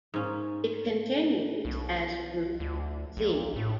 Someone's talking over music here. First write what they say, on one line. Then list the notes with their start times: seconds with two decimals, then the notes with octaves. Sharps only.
It continues as Route Z.
0.14 G#2 C#4
1.65 B1
2.60 D2
3.17 A#1
3.56 A2